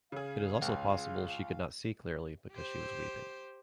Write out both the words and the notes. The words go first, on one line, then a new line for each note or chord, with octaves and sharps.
It is also possible she could not see clearly because she was weeping.
C#3 G#4 F5
C#2 F4
G4 C5